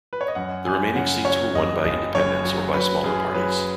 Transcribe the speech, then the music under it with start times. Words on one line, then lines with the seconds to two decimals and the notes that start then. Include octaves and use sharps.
The remaining seats were won by independents or by smaller parties.
0.13 B4
0.21 C#5
0.28 D#5
0.35 F#2 F#5
0.65 F#2 G#5
0.95 C#3 F#5
1.25 F#3 C#5
1.55 F#1 D#5
1.85 F#1 D#5
2.15 F#2 C#5
2.44 F#3
2.74 F#3 B4
3.04 F#2 G#4
3.34 F#3 B4